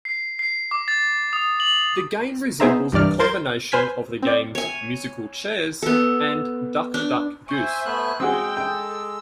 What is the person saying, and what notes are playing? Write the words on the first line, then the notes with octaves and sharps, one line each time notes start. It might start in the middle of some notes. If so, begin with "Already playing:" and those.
The game resembles a combination of the games Musical Chairs and Duck Duck Goose.
C7
C7
D6
A6
D#6
F#7
B3 D#4 G#4 C5 E5 A#5
C2 G2 E3 D5 F6
A#4 C5 C6 G#6 A6 D7
B4 C5 G#5 F6 G#6 B6
C4 D5
C#5 G#5
B3 A4
D4
C5 E5 G#5 C#6 G6
A3 B3 F#6
G#3 C4 F#4 G#4 G5 G#5 D#6 E6
A4 G5